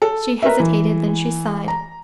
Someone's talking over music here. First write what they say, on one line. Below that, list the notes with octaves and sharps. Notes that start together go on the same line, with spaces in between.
She hesitated; then she sighed.
A4
A#4 B4 E5
E3
A#5